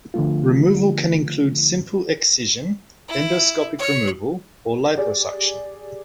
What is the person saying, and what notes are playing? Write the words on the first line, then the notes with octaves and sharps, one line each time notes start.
Removal can include simple excision, endoscopic removal, or liposuction.
D3 F3 A3 F4
E4
C#5
G4 G#4 D5